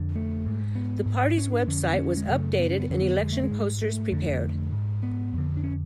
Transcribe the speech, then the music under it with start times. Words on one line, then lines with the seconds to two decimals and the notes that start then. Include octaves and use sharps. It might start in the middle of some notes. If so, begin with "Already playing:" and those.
The party's website was updated and election posters prepared.
Already playing: F2 D3
0.16 A3
0.46 G#2
0.75 B3
1.06 G#2
1.38 C#4
1.52 D4
1.67 F2 D3 C#4
1.93 B3
1.99 C#4
2.17 G#3
2.28 F#2 C#3 A3
2.59 B3
2.70 C#4
2.80 B3
2.90 F2 D3 C#4
3.01 B3
3.21 G#3
3.32 A3
3.43 G#3
3.51 G#2
3.81 A3
4.12 F2 D3
4.72 G#2
5.03 B3
5.34 F2 D3
5.57 D4
5.64 C#4